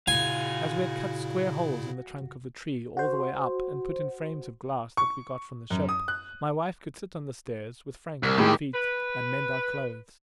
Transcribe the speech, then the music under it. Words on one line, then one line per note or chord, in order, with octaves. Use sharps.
As we had cut square holes in the trunk of the tree all the way up, and put in frames of glass that we got from the ship, my wife could sit on the stairs, with Frank at her feet, and mend our clothes.
A#2 C#3 E4 F#4 F5 G#5
F#4 C5
C#6
F#2
D#6
F#6
C2
A2 D#3 G#3 G4
B4